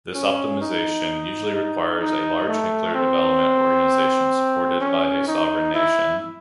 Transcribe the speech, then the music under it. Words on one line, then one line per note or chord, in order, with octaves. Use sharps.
This optimization usually requires a large nuclear development organization supported by a sovereign nation.
C#4
D#4
D#4
D#4
A3
C4
C#4
D#4
E4